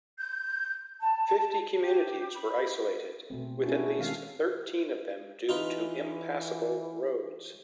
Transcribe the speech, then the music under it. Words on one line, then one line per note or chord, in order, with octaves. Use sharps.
Fifty communities were isolated, with at least thirteen of them due to impassable roads.
G6
A5
G4
B5
B2 A3 C4
B3 C#4 D4 E4 F#4 G#4
D#3 G#3 C4 A4 F5
E3 D#4 F4 B4